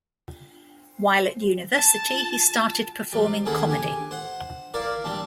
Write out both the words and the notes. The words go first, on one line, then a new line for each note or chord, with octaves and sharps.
While at university, he started performing comedy.
A5
C3 G3
D#2 C#4 E4 G#4 A4 F#5
G4 G#5
C5 F#5
E4 A#4 D5 F5
G3 C4 D4